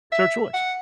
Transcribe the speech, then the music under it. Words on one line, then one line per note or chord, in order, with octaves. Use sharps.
It's her choice.
E5
F#5